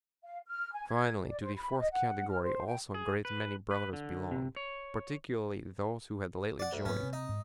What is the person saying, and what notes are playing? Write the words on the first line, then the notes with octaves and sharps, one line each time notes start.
Finally, to the fourth category also a great many Brothers belonged, particularly those who had lately joined.
F5
F6
G#5
G#6
D5
C5
B5
D#5
F#5
F6
C5
G5
G#4
B4
B4
D3
C3
C#5
D5 F#5
D2
G#2 F#3 B3 C#4
C3 C4
D#4
G#2